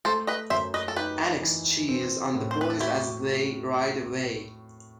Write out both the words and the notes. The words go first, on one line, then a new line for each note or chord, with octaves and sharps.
Alex cheers on the boys as they ride away.
A3 A4 C5
B4 D#5
F#2 C5 E5
B4 D#5
A4
D#4 G4 B4
E3
C4
A2
C5
B4
A4
E4 F#4 G4